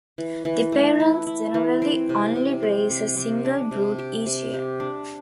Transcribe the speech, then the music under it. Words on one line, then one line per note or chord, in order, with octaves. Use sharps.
The parents generally only raise a single brood each year.
E3
E3
A3
E4
E4
E3
C4
C3
C3
C4
C3
C3
D4
C3
G4
C3
G4
D4